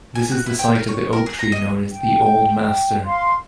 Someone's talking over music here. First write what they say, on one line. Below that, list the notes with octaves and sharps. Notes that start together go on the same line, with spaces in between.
This is the site of the oak tree known as The Old Master.
G#5
F#4
E4
G5
A#4
C#5
A#4
G#4
A#5
D#5
G5
F5 C6